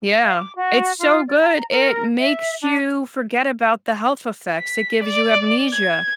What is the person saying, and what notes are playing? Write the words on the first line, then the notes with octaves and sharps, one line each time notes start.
Yeah. It's so good, it makes you forget about the health effects, it gives you amnesia.
F5
D6
F#4
F4
D5
A#5
A#4
E5
D4
B6
D5
G#6